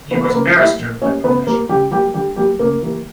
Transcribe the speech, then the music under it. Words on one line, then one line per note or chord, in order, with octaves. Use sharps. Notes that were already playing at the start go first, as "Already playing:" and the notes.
He was Barrister by profession.
E3 A#3 B3 B4
B4
C#3 A#3 A#4
G3 A#3 E4 E5
A#2
G3 A#3 C#4 C#5
C#3 B3 B4
G3 A#3 A#4
C#3 G3 G4
F#3 G3 A#3 G4
D3 G3 G4
F#3 G3 A#3 G4
C#3 A#3 A#4
E3 G3 A#3